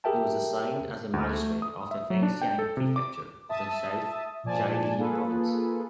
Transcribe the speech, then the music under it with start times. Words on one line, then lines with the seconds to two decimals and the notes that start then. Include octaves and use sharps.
He was assigned as the magistrate of the Fengxiang Prefecture of the South Zhili Province.
0.04 G4 G#4 A#4 E5 G5 A5
1.13 D2
1.33 A3
1.62 D#6
1.91 E5
2.10 F#3
2.23 D4
2.41 G5
2.59 A4
2.77 C3
2.96 D6
3.49 E5 A5 D#6
4.44 A#2 F3 D5 G#5 A5
4.97 A#3 F4 G#4 A4 B4